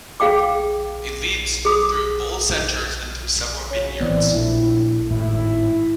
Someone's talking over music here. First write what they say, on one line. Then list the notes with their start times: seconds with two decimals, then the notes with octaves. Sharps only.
It leads through both centres and through several vineyards.
0.20 G#4 F5 G5 D6
1.65 G#4 D6 D#6
3.71 F#2 C#3 C#5
4.01 A1 E3 B3 C4 D5
4.33 A#1 A3 E4
5.11 G#1 A2 E4